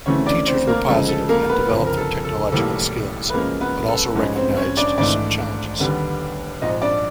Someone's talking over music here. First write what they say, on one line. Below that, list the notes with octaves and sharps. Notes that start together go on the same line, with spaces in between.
Teachers were positive and developed their technological skills, but also recognized some challenges.
D2 C#3 E3 A3 C4 C#4 C#5
D4 D5
C4 C5
A#3 A#4
D2 C#3 F3 G#3 A4
A4
A#3 A#4
B3 B4
F#1 F2 D3 F3
A#4
A4
A4
B1 A2 E3 G3 A#3 A4
B4
F#2 C#3 F3 G#3 A#3 A#4
B3 B4
A4
A1 G#2 F3 G#3 B3 C#4 B4
C4 C5
C#4 C#5
D4 D5
G#1 G#2 E3 A3 D4 D5
D#2 D3 G3 B3
A#1 G#2 F3 D#4 D#5
D4 D5